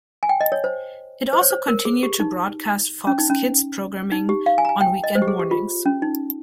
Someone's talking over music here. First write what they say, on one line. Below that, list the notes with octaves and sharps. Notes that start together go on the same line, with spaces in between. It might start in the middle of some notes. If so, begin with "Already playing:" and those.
It also continued to broadcast Fox Kids programming on weekend mornings.
G#5
G5
D#5
C#5
C5
C5
C#5
C5
A#4
G#4
G4
D#4
C#4
D#4
C#4
D#4
G4
F5
G#5
A#5
G#5
G5
D#5
C5
G4
G#4
G4
F4
C#4
D#4